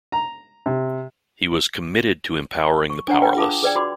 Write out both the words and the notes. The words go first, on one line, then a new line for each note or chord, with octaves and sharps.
He was committed to empowering the powerless.
A#5
C3
C#6
D4 C#5 F#5 A#5
B4 G5
F4 G#4 F5 A5 D6 D#6
G#4 B4 D5 G5
F#4 D5 B5 C6 D6